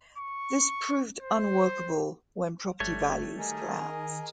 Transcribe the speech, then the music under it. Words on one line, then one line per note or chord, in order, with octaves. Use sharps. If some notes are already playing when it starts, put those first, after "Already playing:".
This proved unworkable when property values collapsed.
C#6
C5
G1 G3 A3 C#5
D#3 G#4 A#4 D#5 G#5